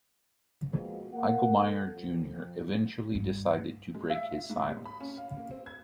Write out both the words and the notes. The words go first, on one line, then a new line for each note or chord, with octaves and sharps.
Hilgemeier Junior eventually decided to break his silence.
F2 B2 F3 G#3 A#3
A#3 F#5
A4
F2
G2
G#3
E5
F4
G#2
G4
B5
C#4
F5
A#3
C4
G#6